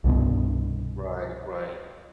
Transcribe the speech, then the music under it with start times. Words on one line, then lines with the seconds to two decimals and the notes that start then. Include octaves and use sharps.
Right, right.
0.04 C2 G2 B2